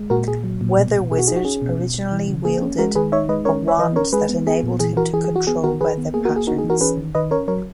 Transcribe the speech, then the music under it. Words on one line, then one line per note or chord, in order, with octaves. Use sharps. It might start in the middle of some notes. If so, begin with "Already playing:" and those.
Weather Wizard originally wielded a wand that enabled him to control weather patterns.
Already playing: G#3
A#2 F#4 A#4
A#2 G#4
F#3
A#2
B2
B2
B2 G#4
F#4
D#4 G#4
F#4
C#4 G#4
B2
B2
B2
E3
C#3
A#3 G#4
C#4
G#3 F#4 A#4
D#3 G#4 B4
D#4 C#5 E5
G#3 B4 D#5
C#4 A#4 C#5
E3
C#5 E5
E3 B4 D#5
C#4 A#4 C#5
G#3 G#4 B4
B3
B3 G#4
A#2
E3 G#4
E3 F#4 A#4
E3 G#4
G#4
E3
F#4
B3 G#4
D#3 F#4 A#4
D#3 G#4 B4
B3
A#3 G#4
F#4 A#4
A#3
G#4
D#4 F#4 A#4
G#4
E3
F#4 A#4
C#4 G#4 B4
D#3
D#3 B4 D#5
C#4 A#4 C#5
F#3 A#4 C#5